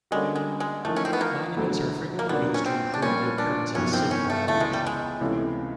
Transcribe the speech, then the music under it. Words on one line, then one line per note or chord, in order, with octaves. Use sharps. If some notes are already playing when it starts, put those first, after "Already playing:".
Monuments are frequently used to improve the appearance of a city or location.
D3 G3 G#3 A#3 C#4 F#4
G#3
G#3
A1 A2 F3 A3 A#3 D#4
C#4
C4
B3
A#3
E1 D2 D3 F#3
A#3
A#2 F#3 A#3 B3 D4 F#4
C#4
C4
D4
A#1 A#2 G3 B3 C#4
D4
G1 F2 C3 D#3 F#3 C#4
C4
C#4
A3
C#2 C#3 E3 A3
G#3
G3
G#3
C#2 C3 E3 A3 C#4